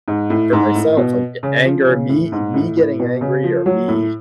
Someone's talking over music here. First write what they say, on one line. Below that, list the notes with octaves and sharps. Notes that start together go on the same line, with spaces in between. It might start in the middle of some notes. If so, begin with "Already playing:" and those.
for myself, like, a anger me eh me getting angry, or me
G#2
A2
G#2
A2
B2
C#3
F3
C#3
A2
G#2
A2
A2
B2
C#3
F3
F#3
A2